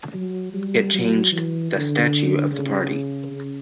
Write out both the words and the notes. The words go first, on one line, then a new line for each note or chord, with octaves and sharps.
It changed the Statute of the party.
F#3
G3
F#3
E3
D3
C#3
C#3